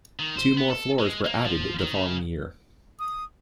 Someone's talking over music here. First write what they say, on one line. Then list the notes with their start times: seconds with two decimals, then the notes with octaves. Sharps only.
Two more floors were added the following year.
0.19 D#3
0.37 C5
0.57 B3
0.70 A4
0.99 G#3
1.25 A#3
1.44 F3
1.79 D#3
1.93 C#3
2.99 D#6